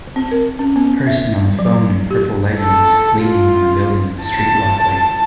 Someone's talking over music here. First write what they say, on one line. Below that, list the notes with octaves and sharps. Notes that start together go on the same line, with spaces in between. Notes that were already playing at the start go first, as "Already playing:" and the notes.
A person on the phone in purple leggings, leaning on a building on a street walkway.
C4
A#4
C#4
B3
E5
F#3
G4
A4
F4
A5